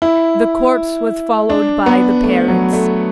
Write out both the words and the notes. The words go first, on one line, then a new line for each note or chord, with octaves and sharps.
The corpse was followed by the parents.
E4
D4
B3
A3
F#3
A3